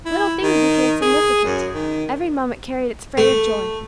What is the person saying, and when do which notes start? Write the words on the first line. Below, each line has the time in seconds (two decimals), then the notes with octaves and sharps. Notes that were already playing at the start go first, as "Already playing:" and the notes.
Little things became significant; every moment carried its freight of joy.
0.05 E4
0.42 D#3
1.02 G#4
1.45 F#2
1.74 D#3
3.17 A3